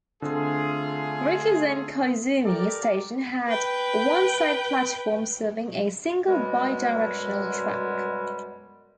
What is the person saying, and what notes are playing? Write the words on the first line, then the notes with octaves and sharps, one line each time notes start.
Rikuzen-Koizumi Station had one side platform serving a single bi-directional track.
D3 A3 C4 F4 G#4
G4 A4 A#4 D5
B4 G5
F#2 B2 G3 G#3